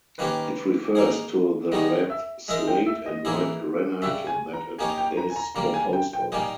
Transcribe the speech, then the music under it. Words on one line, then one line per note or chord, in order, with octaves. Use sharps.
It refers to the red slate and white granite that it is composed of.
D#3 A#3 C#4 G4 B4 C#5
A#3 D#4 G#4
G3 B3 D#4 G#4 C#5 D#5
E5
G#3 D#4 A#4 E5
G5
E5
D#5
E3 A#3 E4 G#4
C#3 G3 C#4 E5
G#5
A#5
A#3 D#4 G4 C#5 G#5
G5
A#5
G#5
A#5
C#3 G3 A#3 A#5
G#5
G5
G5
A#2 G3 A#3 D#4 G#5